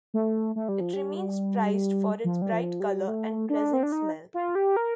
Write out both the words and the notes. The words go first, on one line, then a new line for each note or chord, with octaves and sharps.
It remains prized for its bright color and pleasant smell.
A3
A3
G3
F3
G3
F3
G3
F3
G3
A3
D4
C4
D4
D#4
F4
G4
A#4